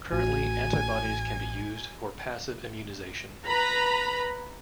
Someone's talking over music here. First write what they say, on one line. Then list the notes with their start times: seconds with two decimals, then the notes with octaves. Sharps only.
Currently, antibodies can be used for passive immunization.
0.12 A1 F#4 G#5
3.47 B4 A#5 B5